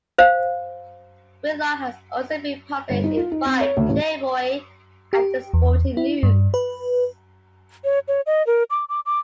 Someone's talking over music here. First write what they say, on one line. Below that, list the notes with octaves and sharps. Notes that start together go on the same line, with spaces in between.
Whitlock has also been published in "Vibe", "Playboy", and "The Sporting News".
C5 F5
G1
D#4
F4
D#4
C4
C#5
D2
A1
G4
E2
E4
G2
B4
C#5
C#5
D#5
A#4
D6
D6
D6